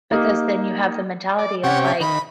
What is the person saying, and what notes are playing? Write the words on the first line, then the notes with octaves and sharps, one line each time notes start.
because then you have the mentality of like,
A#3 D#4 G4
D5
C3 C#4 G4 F#5
E5
D#3 B5